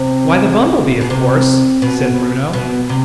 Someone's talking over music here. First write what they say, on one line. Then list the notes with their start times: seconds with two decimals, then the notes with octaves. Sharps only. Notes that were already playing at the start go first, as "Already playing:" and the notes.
"Why the bumble-bee, of course!" said Bruno.
Already playing: C3
1.01 B2
1.10 C3
1.82 B2
2.53 B2
2.89 C3